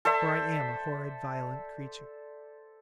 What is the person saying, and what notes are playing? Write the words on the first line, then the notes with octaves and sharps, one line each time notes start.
For I am a horrid, violent creature.
A4 C5 D5 E5